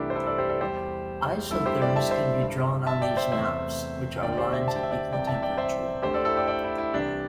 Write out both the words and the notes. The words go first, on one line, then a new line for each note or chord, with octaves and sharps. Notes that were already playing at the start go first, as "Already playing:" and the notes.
Isotherms can be drawn on these maps, which are lines of equal temperature.
Already playing: C2 C3 E3 A3 D4 E4 G4 A4
C5
E4 A4
A4 D5
G4 C5
A4 D5
E2 E3 G3 G4 C5
G1 G2 D3 A3 E4 A4
G4 C5
D5 G5
E5 A5
C5 E5
G1 G2 G3
E5 A5
D5 G5
C5 E5
E2 C3 A3 C5 E5
D2 D3 A3 D5 G5
D5
G4 C5
C5 E5
A5
G5
E5
D5 G5
C2 C3 E3 D5 G5
E5 A5
D5 G5
C5 E5
D2 D3 A3 G4 C5
A4 D5
E4 A4
D5 G5
D5 G5
E4
E4
C2 C3 E3 D4 G4